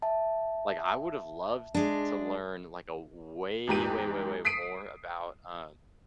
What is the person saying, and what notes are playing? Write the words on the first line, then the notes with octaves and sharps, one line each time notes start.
like, I would have loved to to learn, like, a way, way, way, way more about, um
E5 A5
G#3 D4
E2 G#2 G4 D#7
D#6 B6 C7 D7 D#7